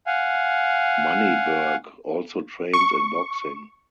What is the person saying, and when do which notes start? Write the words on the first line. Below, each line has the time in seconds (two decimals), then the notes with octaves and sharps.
Moneyberg also trains in boxing.
0.07 F5 F#5 G#5
2.73 C#6